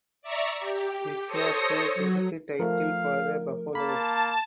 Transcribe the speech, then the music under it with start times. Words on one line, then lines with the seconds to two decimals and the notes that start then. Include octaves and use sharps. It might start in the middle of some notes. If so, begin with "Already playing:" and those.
This was the tenth title for the Buffaloes.
0.22 D5 E5 A#5 C#6
0.60 G4
1.26 A4 C5 C#5 D#6 A#6 C#7
1.95 F#3
2.59 F3 A3 A#4 F5
3.75 A#3 A5 B5